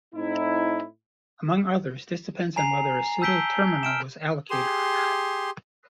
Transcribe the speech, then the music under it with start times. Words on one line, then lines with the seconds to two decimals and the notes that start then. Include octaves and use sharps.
Among others, this depends on whether a pseudo-terminal was allocated or not.
0.14 A2 C4 D#4 E4
2.56 G#5 A#5 C7 F7
3.21 A5 E6 G6 B6 D7 G7
3.83 F6 D7 E7
4.50 G4 G#4 C6